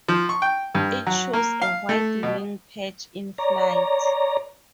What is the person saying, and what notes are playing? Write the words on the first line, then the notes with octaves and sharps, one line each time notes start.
It shows a white wing patch in flight.
F3
C#6
G5
G2
F#3
A#3
F5
A3
B2
C#5 D5 A#5